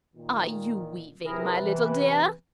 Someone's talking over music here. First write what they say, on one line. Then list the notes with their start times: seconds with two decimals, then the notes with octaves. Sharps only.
'Are you weaving, my little dear?'
0.15 A#2 D#3
1.26 C3 E4 G#4 A#4 B4
1.62 E3